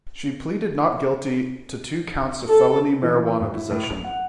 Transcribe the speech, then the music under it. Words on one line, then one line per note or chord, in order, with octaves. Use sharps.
She pleaded not guilty to two counts of felony marijuana possession.
A4
E3
G#1
E4
A2
F7
F#5